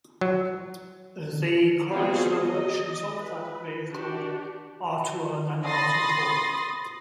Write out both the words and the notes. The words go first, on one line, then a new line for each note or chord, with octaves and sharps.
The Chrysler versions of that vehicle are to earn an article.
F#3
B3 C4 F4 F#4 G#4 C5
D#5
B4
D4 F#4 G4
B5 C6 D#6 A6 A#6 C7